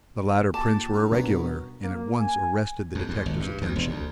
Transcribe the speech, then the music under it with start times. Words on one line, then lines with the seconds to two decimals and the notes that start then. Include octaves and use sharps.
The latter prints were irregular, and at once arrested the detective's attention.
0.54 A#2 G4 A5
0.94 G2 D#4
1.12 B2 B3 C#4 A#4
1.83 A#3
2.19 G#5
2.95 F2
3.09 D#2
3.26 G#1
3.40 G2
3.62 D2
3.76 E1
3.90 D2